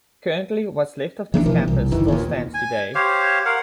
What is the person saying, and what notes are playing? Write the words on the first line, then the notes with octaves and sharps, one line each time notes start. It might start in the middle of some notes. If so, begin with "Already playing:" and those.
Currently, what's left of this campus still stands today.
E3 A#3 C4 D4
B2 E3 F3 A#3
C2
F#1 D#3 E3
D#2 A#2
G#5
G4 C5 C#5 F5
A#4 F5 F#5